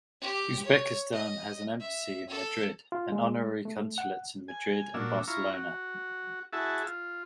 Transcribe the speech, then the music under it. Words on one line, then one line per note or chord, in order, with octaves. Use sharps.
Uzbekistan has an embassy in Madrid and honorary consulates in Madrid and Barcelona.
G4
C#5
D#5
E5
A4
F4
G#3
A3
F#5
G#5
A#2 F#3 D4 E6
E4 F4 A#5 C#6
F#4
E4 F#4 G#4 E5 A5
F4